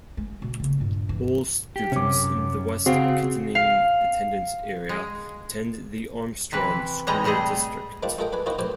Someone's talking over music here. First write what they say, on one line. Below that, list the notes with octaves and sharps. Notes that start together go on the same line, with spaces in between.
All students in the West Kittanning attendance area attend the Armstrong School District.
G#3
B2
C#3 A#3
G2 A#2
E3
G4
F#2 C3 C#4 D6
C#3 C4 F#4 G#4 F5
F5
G#3
C3 E3 B4
A2 E3 G3 G#3 D#5 A#5
A2 G3 A3 G#4 D#5
D#3 G#3 C4 D4 F4
G#3 F4 A4 A#4 D#5 G5
D4 B4 G#5
A#3 C4 D#4 E4 F#4
A2 F#3 C4 G4 B4 G#5